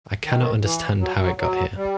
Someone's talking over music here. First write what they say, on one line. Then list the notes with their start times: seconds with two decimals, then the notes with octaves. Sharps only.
I cannot understand how it got here.
0.24 D#3
0.63 E3
1.00 F#3
1.19 F#3
1.38 F#3
1.76 G3